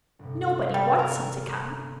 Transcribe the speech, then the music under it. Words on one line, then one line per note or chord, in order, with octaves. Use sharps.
Nobody wants him to come.
G1 C3
G3
A#4